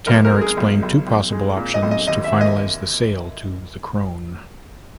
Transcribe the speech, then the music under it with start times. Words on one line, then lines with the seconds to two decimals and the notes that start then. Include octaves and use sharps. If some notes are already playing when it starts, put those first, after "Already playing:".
Tanner explained two possible options to finalize the sale to the "Krone".
0.07 B1 A#4
0.25 A#4
0.32 G#3
0.41 G#4
0.57 B1
0.82 B1
1.07 B1
1.32 G#3
1.57 A#2
1.74 D#5
1.82 B1
1.91 D#5
2.07 D#2 D#5
2.24 E5
2.32 D#2
2.41 D#5